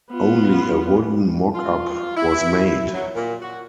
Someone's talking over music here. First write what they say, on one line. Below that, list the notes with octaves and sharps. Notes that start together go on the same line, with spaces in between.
Only a wooden mock-up was made.
B3 F4
F4
E4
E4
F#3
A#2
F#4